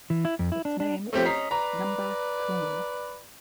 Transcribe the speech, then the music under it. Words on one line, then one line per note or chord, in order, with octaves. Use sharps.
Its name is Number-kun.
E3
E4
F2
E4
D4
D4
A3 C4 C#4 G4
D#5 A#5 B6 C7
B4 D5 A#5